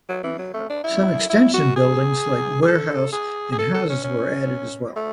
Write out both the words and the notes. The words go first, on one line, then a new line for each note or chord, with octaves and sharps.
Some extension buildings like warehouse and houses were added as well.
F#3
E3
F#3
A3
D4
E4
E4
F#4
G#4
G#4
A4
G#4
G#4
A4
A4
C#4
C#4
A3